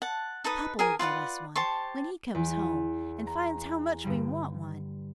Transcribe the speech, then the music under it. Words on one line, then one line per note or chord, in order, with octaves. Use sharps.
"Papa will get us one when he comes home and finds how much we want one."
F#5 A5
D#4 A4 B4 D#6
G#4 A#4 G#5
F4 B4 D5 F#5
G4 C5 A5 C#6
E2
A#5
G2 D3 G3